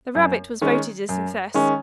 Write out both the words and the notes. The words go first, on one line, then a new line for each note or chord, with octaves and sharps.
The rarebit was voted a success.
F#2
D#3 G#3 C#4
F#2
D#3 G#3 C#4